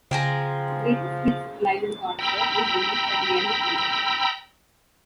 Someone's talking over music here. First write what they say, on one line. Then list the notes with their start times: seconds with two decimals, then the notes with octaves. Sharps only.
"Greatest Hits-Live in Concert" was released at the end of the year.
0.11 C#3 F3 G#3 G5 G#5 A#5
2.19 G5 A#5 B5 E6